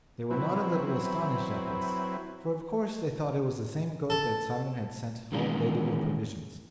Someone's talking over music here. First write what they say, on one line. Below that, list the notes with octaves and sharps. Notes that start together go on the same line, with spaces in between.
They were not a little astonished at this, for of course they thought it was the same goat that Simon had sent home laden with provisions.
F#3 C4 E4 B4
A4
D#3 E3 G#3 A#3 C#4 D4